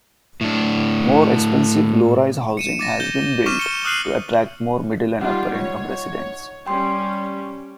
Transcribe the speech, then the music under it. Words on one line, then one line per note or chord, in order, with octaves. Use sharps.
More expensive low-rise housing has been built to attract more middle- and upper-income residents.
A2 D4
C#7 D#7 E7
D6 A6 A#6
G6 G7
C#6 D6 F6 D#7 E7
C#7 G7
D#6 F6 F#6 C7 D#7 F#7
G3 D#4 F4 F#5
C#5
G3 C#4 G5 C6